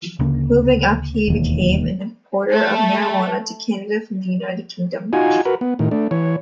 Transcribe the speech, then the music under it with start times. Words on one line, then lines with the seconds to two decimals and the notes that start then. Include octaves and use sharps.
Moving up he became an importer of marijuana to Canada from the United Kingdom.
0.19 D2 C#3 A#3
1.28 E1 D#2
2.52 A3
5.13 D#4 F4 F#4 G#5
5.45 F#4 A#4 B4
5.61 B3
5.79 A2 D#3
5.91 A3 D4
6.11 E3 C#5